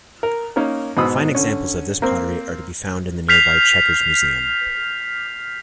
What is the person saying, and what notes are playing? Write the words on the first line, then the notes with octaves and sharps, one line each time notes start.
Fine examples of this pottery are to be found in the nearby Chequers Museum.
A#4
A#3 C#4 D#4 A#4
G#2 B2 B5 D#6 E6
D3 C#4
A#3 C4
F6 G6 B6 C7 F7